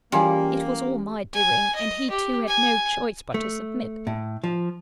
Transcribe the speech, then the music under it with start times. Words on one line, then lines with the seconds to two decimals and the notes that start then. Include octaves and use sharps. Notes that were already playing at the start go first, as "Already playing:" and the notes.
It was all my doing, and he too had no choice but to submit.
0.12 E3 G3 A#3 C#4 F4 G#4 F5
1.34 G#5
1.76 D#5
2.11 G4
2.48 G#5
3.34 A3
4.07 A2
4.44 F3